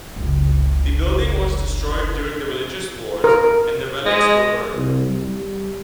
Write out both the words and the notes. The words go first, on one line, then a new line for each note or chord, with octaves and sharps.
The building was destroyed during the religious wars and the relics were burned.
F#1 C#2
A#4
G#3
C2
G3